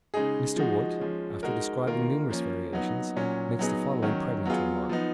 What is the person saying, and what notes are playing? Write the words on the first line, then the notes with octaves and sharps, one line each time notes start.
Mr. Wood, after describing numerous variations, makes the following pregnant remark.
C#3 G#3 D#4 G#4
F3 G#3 D#4 F#4
F3 G#3 C#4
G#3 D#4 F#4 A#4
D#3 A#3 F4 A#4
F3 A#3 C#4
F#3 B3 D#4
A#2 F#3 C#4
F#3 B3 D#4 G#4
D#3 F#3 C#4
F#3 B3 F4 G#4
F3 B3 D#4